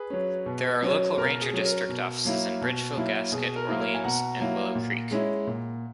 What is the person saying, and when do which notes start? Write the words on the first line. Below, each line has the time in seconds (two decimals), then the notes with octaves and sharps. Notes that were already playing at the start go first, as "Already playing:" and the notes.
There are local ranger district offices in Bridgeville, Gasquet, Orleans, and Willow Creek.
Already playing: G#4 B4
0.10 F#3 C#4
0.46 B2
0.82 F#3 C#4
1.18 B2 A#4
1.41 G#4
1.53 F#3 C#4
1.65 A#4
1.89 B2
2.25 F#3 A#3 E4
2.61 B2
2.97 F#3 A#3 E4
3.32 B2 G#4
3.56 A#4
3.69 F#3 A#3 E4
3.80 A#4 C#5
3.94 G#5
4.04 B2 F#5 A#5
4.40 F#3 A#3 E4
4.75 A#2
5.11 G#3 C#4 E4
5.47 A#2